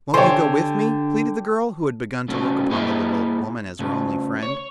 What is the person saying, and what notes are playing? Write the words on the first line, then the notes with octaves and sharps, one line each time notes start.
"Won't you go with me?" pleaded the girl, who had begun to look upon the little old woman as her only friend.
D3 G4 C5 C#5 G#5
C#3 A3 C#4 F#4
A#3 E4 G#4 A#4 D#5 E5
C#3 A3
C#5